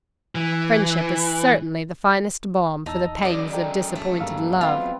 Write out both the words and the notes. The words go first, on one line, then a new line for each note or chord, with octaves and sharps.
Friendship is certainly the finest balm for the pangs of disappointed love.
E3
E2 D#4 A5 E6
F#2 G#3 D5 D#5
G#4 A4 G5 A#5
A3
G2 G3 A#3 F5 E6
B3 C4 F4 E5 F5 F6